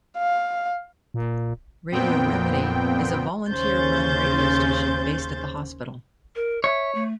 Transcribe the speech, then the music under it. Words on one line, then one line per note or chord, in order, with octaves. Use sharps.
Radio Remedy is a volunteer run radio station based at the hospital.
F5
A#2
F2 A#2 B3 C4 G5
D#2 C#3 C#4 C5 G6 A6
A#4
C#5 E5
A3